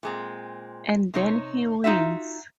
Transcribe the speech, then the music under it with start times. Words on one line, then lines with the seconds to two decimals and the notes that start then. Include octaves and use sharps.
And then he wins.
0.03 A#2 G#3 C4
1.14 C3 D#4 C#5
1.84 D#4 F4 F#4 E5